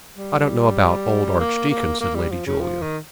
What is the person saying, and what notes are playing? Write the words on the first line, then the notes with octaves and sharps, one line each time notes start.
"I don't know about old archdeacon," said Lady Julia.
G3
A#3
A#3
A#3
G3
F3
C#3
F3
D#3